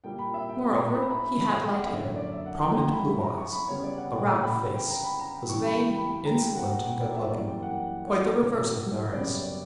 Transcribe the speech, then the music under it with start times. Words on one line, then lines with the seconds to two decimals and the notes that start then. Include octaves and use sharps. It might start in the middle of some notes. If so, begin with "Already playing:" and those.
Moreover, he had light hair, prominent blue eyes, a round face, was vain, insolent and good-looking; quite the reverse of Marius.
0.04 A#2 G3 A#3 G5
0.19 B5
0.34 E5
0.49 G5
0.65 G5
0.80 A#5
0.95 B5
1.03 A#5
1.10 B5
1.26 B5
1.40 B5
1.56 G5
1.71 F#5
1.86 F#2 D3 A#3 E5
2.01 C#5
2.16 D5
2.32 E5
2.46 F#5
2.62 G5
2.77 A#5
2.92 B5
3.07 B5
3.22 A#5
3.38 C#6
3.52 B5
3.67 C#3 G3 B3 C#5
3.83 D5
3.98 F#5
4.14 G5
4.29 A#5
4.43 B5
4.74 G5
4.89 A#5
5.04 B5
5.19 A#5
5.34 G5
5.49 E2 C#3 E3 G3 C#6
5.65 B5
5.79 G5
5.95 B5
6.10 G5
6.25 A#5
6.41 G5
6.56 F#5
6.71 F#5
6.86 G5
7.01 D5
7.16 E5
7.31 F#2 E3 G3 A#3 D5
7.47 G5
7.62 F#5
8.07 C#5
9.13 F#2 C#3 G3 B3 D5
9.28 C#5
9.43 D5